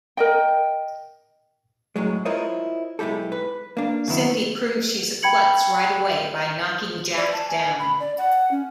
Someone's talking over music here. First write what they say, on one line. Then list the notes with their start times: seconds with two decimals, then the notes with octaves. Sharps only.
Cindy proves she's a klutz right away by knocking Jack down.
0.17 A#4 D#5 G5
1.96 F#2 A2 F#3 G#3
2.25 E4 F4 A#4 C5 C#5 D#5
2.99 B1 G#3 E4 G4 A4
3.32 B4
3.77 A#3 D4
4.07 F#2 C3 D#3 B3 E4
5.23 G5 B5 G#6 C#7 F#7
7.17 D5
7.33 A5
7.48 G#5
7.79 B5
8.00 D5
8.18 F#5
8.51 C#4